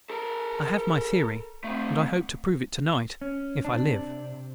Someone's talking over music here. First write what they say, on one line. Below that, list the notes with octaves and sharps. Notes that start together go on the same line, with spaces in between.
I have my theory and I hope to prove it to-night, if I live.
A4 A#4
A3 C4
C#4
C3 D4